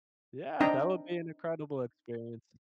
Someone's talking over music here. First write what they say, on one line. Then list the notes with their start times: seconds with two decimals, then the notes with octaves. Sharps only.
Yeah, that would be an incredible experience.
0.60 C4 D4 D#4 D#5 G5 A#5